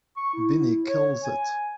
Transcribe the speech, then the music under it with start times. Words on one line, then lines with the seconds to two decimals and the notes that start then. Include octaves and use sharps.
Vinnie kills it!
0.16 C#6
0.34 E4
0.84 C#5
1.24 G#5